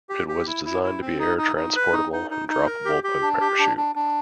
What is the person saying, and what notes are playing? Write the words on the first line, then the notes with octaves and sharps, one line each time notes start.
It was designed to be air-transportable and droppable by parachute.
G4
G4
E4
E4
E4
C4
D#4
D#4
D#4
B4
D#4
D#4
D#4
D#4
A#4
G4
G4
D4
G4
D4
D4
D4